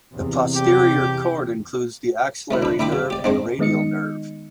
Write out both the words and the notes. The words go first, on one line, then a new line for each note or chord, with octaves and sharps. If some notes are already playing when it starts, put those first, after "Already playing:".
The posterior cord includes the axillary nerve and radial nerve.
E2 C3
G4
A3 C#4 E4
D4 B4
D4 E4 E5 G5 B5 D6
C#3
G4 D5
G#3 C4 D4
D#3 G#3 B3 D#4 D#5 C#7